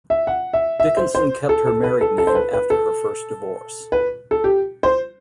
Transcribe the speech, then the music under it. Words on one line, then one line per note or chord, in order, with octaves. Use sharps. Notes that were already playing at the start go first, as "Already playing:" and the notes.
Dickinson kept her married name after her first divorce.
E5
F#5
E5
E5
C5
C5
A4
A4
B4
A4
A4
C5
B4
B4
A4
B4
A4
G4
C5